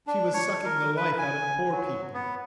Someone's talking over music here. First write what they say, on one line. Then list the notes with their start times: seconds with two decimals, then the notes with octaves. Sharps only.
She was sucking the life out of poor people.
0.07 D4
0.33 C#5
0.65 A#4
0.97 B4
1.19 G#5
1.72 F#3
2.14 B3